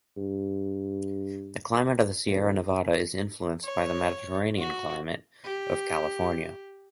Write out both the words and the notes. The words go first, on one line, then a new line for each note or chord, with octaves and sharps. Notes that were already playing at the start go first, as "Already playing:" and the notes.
The climate of the Sierra Nevada is influenced by the Mediterranean climate of California.
G2
D#1
C#5
F#4
G4